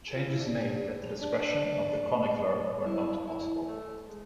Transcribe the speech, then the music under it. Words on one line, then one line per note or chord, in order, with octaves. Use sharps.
Changes made at the discretion of the chronicler were not possible.
F4
E4
D4
D4
E4
E4
A3
G#3